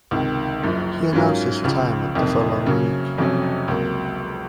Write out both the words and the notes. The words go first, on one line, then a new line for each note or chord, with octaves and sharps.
He announced his retirement the following week.
C#2 C3 D#3
F#1 F#2 F3
G#2 F#3 C#4 F4 A#4
C#2 C#3 F3
F#1 F2 C3 D#3
C#3 F#3 A#3 C#4
F1 F2 C3 F#3 C#4
C#2 C3 F#3 A#3